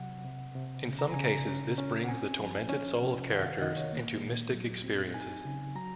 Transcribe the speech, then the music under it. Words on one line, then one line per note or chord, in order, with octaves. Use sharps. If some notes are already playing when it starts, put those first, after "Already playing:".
In some cases this brings the tormented soul of characters into mystic experiences.
Already playing: C3 F#3 F#5
C3
C3
C#3
A#5
C#3 G#5
A#5
C#4
C#4
F#5
C4 G#5
F3
C#4
C3
D#3 F#5
F5
D#3 D#5
C#5
A#3
A#2
F#3
C4
D#4 G#5
C#3
F#3 A#5